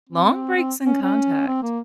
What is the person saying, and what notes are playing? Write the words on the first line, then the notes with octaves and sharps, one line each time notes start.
long breaks in contact?
C4
C4
C#4
C#4
C4
A#3